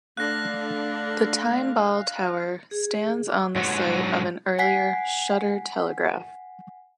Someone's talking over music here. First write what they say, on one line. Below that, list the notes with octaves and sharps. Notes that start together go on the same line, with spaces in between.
The Timeball Tower stands on the site of an earlier "Shutter Telegraph".
D3 A3 D4 F5 F#6 A#6
G#4
D6
G#2 F#3
F#5 G#5 B6 C7